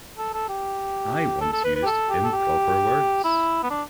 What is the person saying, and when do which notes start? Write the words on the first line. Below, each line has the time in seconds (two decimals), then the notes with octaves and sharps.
I once used improper words.
0.18 A4
0.34 A4
0.49 G4
1.41 A4
1.53 A4
1.64 B4
1.76 B4
1.83 G4
1.86 A4
2.10 G4
2.24 A4
2.33 G4
3.24 E4
3.63 B3
3.70 D4